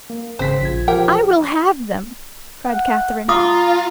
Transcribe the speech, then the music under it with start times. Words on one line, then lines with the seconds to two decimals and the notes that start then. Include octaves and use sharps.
"I will have them," cried Katharine.
0.10 A#3
0.39 G#1 C#3 C4 C5 B6
0.61 A#1 F4 G#6
0.88 F3 G4 A#4 G5
2.66 F#5
3.29 F4 A#5 D#6